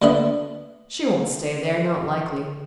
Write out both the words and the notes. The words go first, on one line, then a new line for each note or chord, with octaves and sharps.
She won't stay there, not likely.
D2 D3 B3 D4 E5